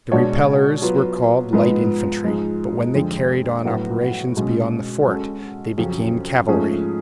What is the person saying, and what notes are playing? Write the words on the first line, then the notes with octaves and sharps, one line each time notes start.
The repellers were called light infantry; but when they carried on operations beyond the fort they became cavalry.
B2 G#3 D4 F#4 C#5
F#3 B3 F4
G#2 F3 G#3 B3
G#2 F3 G#3
F2 D3 G#3
A2 F#3 B3 F#4
B2 G#3 C#4
G#3 C#4 F#4 A4
F2 C#3 F#3 C#4
G#2 F3 A3 C#4 G#4